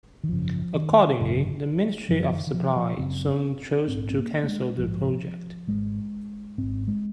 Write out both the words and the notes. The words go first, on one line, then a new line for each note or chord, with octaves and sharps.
Accordingly, the Ministry of Supply soon chose to cancel the project.
D#3
G#1 F#2 C#3 F3
D#3
G#1 F#2 C#3
F#1 F#2 C#3 F3
D#3
D#3
F3
F3
F#1 F#2 C#3 C4
A#1 G#2 C4
C4
A#3
A#3
G#3
A#1 G#2 F3
G#1 G#2 G#3
G#1 G#2 C4
G#3